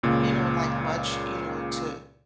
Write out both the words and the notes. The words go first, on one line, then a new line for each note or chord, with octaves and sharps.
you know, like much, you know, to
C#2 A#2 C#3